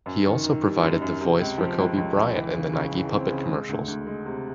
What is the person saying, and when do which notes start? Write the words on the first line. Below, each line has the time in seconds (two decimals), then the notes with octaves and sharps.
He also provided the voice for Kobe Bryant in the Nike puppet commercials.
0.06 F#2
0.26 D#3
0.44 D#3
0.64 G3
0.82 F#2
1.02 F#2
1.21 C3
1.40 C#2
1.58 F3
1.78 C#2
1.97 C#2
2.16 C#2
2.35 E3
2.54 C#3
2.73 C#3
2.92 E3
3.12 C4
3.30 C#3
3.49 G#3
3.69 D2
3.88 D2
4.07 G#3
4.26 C3